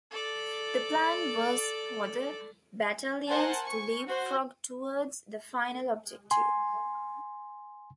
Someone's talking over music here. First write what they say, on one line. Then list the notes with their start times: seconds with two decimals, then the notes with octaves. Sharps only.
The plan was for the battalions to leap-frog towards the final objective.
0.11 A4 D5
3.27 A#4 C5 F#5 G#5 A5
3.62 G#5 C#6
4.09 F#4 C5
6.31 G#5 C6